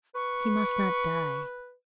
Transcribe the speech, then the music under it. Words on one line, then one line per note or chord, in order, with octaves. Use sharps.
He must not die.
B4 C#6